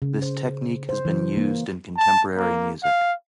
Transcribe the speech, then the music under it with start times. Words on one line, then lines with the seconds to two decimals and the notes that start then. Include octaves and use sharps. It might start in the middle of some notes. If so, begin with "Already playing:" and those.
This technique has been used in contemporary music.
0.02 C#3
0.22 C5
0.89 C5
1.05 E3
1.37 A#3
1.97 A5
2.37 A#3
2.83 F5